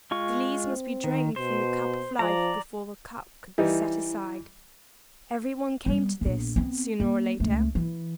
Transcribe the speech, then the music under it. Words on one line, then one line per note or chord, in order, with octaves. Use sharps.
The lees must be drained from the Cup of Life before the Cup could be set aside. Every one came to this, sooner or later.
G#3 F4 C#6
C4
D#3
B2 C5
F3 D5 A#5
E3 G3 D#4 E4
G3 B3
A#1 B3
B3 C4
A#3
C#2 A3
E3